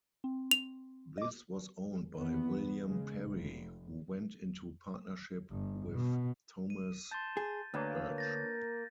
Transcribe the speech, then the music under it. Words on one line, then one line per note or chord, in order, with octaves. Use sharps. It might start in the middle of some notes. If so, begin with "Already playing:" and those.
This was owned by William Perry, who went into partnership with Thomas Urch.
C4
F7
D#5 D6
E2 B3
C#3 G#3
F1
G1
B2
D#7
A5 C6 G6 A6
G#4
D2 A#3 D4 B4 C#5
G6 A6 A#6